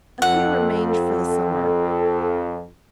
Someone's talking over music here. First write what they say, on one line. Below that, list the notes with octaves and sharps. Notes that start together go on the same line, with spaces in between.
A few remained for the summer.
F2 A4 F#5